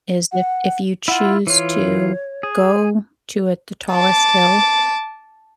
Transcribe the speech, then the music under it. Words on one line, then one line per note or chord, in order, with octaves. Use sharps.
is if if you choose to go to a the tallest hill,
F#5
E4 F4 F#5
E3 F4 C#5
G#4
A5 D6